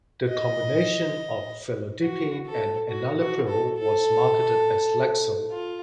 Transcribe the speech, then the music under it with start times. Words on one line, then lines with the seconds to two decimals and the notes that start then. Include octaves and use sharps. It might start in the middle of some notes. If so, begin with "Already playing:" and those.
The combination of felodipine and enalapril was marketed as Lexxel.
0.28 D#5
2.02 F#4
2.46 A4
2.89 F#4
3.19 F#4
3.47 A4
3.77 A4
5.51 F4